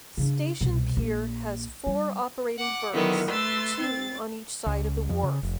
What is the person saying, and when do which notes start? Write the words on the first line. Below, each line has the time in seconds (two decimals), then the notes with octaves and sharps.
Station Pier has four operating berths, two on each side of the wharf.
0.17 C#3 D4
0.61 C2 B2
0.97 A#1
1.87 G3
2.58 F#5 D6
2.93 D3 D#3 F#3 B3 E4
3.29 A3 B4 C6 E6 A6
3.78 C4 A6
4.66 C#2
5.09 F2
5.23 C#3
5.43 F1